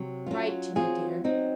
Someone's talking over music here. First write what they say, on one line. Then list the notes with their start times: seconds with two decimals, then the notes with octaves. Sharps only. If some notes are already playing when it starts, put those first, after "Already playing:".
Write to me, dear.
Already playing: C3 F#3
0.26 F#3 C#4 F4
0.75 F#3 C4 F4 G#4
1.24 F#3 C4 D#4